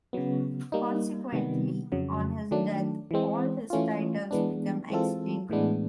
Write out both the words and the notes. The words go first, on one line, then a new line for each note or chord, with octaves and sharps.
Consequently, on his death all his titles became extinct.
C#3 F#3 B3
G3 A#3 D#4
C3 D#3 G3 B3
F2 C#3 F#3
D#3 F#3 A3 D4
E3 G#3 C4
E3 A3 C#4 F4
E3 G#3 B3 D4
E3 G#3 C4 F4 A4
A2 E3 G#3 B3 D4